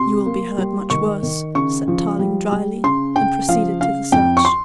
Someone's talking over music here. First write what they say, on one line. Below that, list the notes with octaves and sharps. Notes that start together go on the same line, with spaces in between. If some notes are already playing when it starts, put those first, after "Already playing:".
"You will be hurt much worse," said Tarling dryly and proceeded to the search.
Already playing: C3 C6
A#3
G3
D#3 C#6
D#3
C#3 C#6
F3
G3
G3
C#3 C6
C#3 G5
F3 F5
C#3 F5
F2 G5
C#6
C6